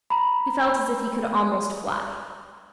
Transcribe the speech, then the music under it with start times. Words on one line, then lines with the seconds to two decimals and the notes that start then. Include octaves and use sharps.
He felt as if he could almost fly.
0.10 A#5 B5